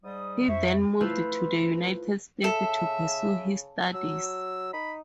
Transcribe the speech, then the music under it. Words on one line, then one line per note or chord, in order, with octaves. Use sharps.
He then moved to the United States to pursue his studies.
G#2 G3 D#6
F2 E4 C5 E5 C#6
A3 E4 F4 B4 C5
C#3 A4 E5
F#3 E6
D#4 B5